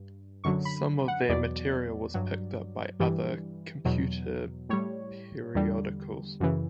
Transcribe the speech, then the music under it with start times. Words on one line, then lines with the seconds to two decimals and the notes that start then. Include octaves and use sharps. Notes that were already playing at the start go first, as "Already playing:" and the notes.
Some of their material was picked up by other computer periodicals.
Already playing: G2
0.44 F#2 D3 F#3 C#6
0.65 B5
1.08 F#5
1.29 E2 B2 F#3 D5
2.14 G2 F#3
3.00 G2 E3 G3
3.85 E2 B2 F#3
4.69 A2 G3 C#5
5.55 E2 D3 G3
6.40 F#2 C#3 E3